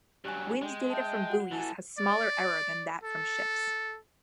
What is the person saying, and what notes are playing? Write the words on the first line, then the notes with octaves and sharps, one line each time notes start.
Wind data from buoys has smaller error than that from ships.
G2 F#3 G4 G#5 F#6
G#3 G5
E5 G5 A5
F#4 F#5
E3 E4 A4 G#5 A5
D5
A4